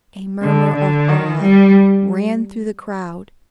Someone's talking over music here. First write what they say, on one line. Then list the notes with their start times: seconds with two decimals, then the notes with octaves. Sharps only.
A murmur of awe ran through the crowd.
0.42 D3
0.76 D3
1.09 D#3
1.42 G3